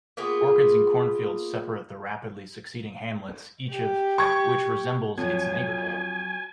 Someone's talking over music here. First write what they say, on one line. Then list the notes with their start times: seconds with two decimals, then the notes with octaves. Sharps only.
Orchards and cornfields separate the rapidly succeeding hamlets, each of which resmbles its neighbour.
0.17 A#3 B3 F4 G#4
3.72 G4
4.18 C#6 G#6
5.17 F2 F#3 G#5